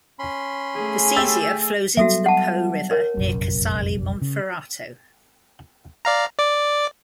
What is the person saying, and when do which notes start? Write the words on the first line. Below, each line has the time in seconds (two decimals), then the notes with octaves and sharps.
The Sesia flows into the Po River near Casale Monferrato.
0.19 C#4 B5 C6
0.76 A3 G#4
1.16 G4 E6 A6
1.97 F#3 G3 B3 F#4 A4 E5
2.26 F#5 A5
2.91 A#4 C#5
3.17 F1 A#1 F#2
4.22 C#3
6.05 D5 F5 A#5
6.38 D5 D6